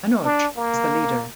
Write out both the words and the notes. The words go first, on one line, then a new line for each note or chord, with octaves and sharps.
Manoj is the leader.
D4
A#3